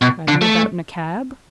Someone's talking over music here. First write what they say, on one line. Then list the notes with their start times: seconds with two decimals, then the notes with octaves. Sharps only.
Driving about in a cab?
0.02 B2
0.28 D3
0.42 A3